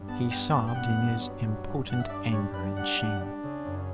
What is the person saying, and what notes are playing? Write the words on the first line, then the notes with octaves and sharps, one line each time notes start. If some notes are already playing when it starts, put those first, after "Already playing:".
He sobbed in his impotent anger and shame.
Already playing: G2
B3 A5
G2 G5
G2 A5
G5
B3 F#5
G2
F#3
G2
G2
G2 F#5
E5
D4 D5
G3 C#5
D4 B4
G3 F#5
D4
D4
C#3
F#2